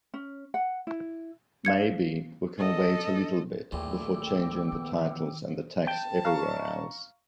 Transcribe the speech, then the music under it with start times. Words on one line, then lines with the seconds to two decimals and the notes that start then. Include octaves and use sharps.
Maybe we can wait a little bit before changing the titles and the text everywhere else?
0.14 C#4
0.54 F#5
0.87 E4
1.65 F5 G#6 C#7
2.58 A4 D#5
3.72 A#1 D#2 A2 A3 G5 D6 E6
4.72 D#3 B3
5.87 G5 A5
6.25 F5 A#5 C#6